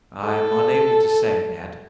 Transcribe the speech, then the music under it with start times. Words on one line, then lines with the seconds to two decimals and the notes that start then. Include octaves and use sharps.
"I'm unable to say, Ned."
0.26 A4